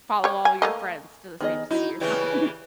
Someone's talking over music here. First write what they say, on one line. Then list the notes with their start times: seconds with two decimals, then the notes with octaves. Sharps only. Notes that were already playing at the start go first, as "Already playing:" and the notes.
follow all your friends to the same city or something.
0.24 G4 C#5
0.45 G#5
0.62 A3 A#3 D#5
1.41 D#3 B3 G#4 D#5
1.71 D#4 E4 F#4
2.00 C#3 E3 G3 B4